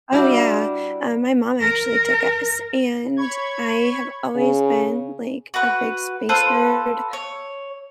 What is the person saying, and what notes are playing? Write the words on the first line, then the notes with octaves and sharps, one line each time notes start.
Oh, yeah, uh, my mom actually took us, and I have always been, like, a big space nerd.
G3 D4 E4 F#4
A#4
C#5 B5 C#6 G#6
C#3
F#4 B4
F4 A4 B4 C5
C#5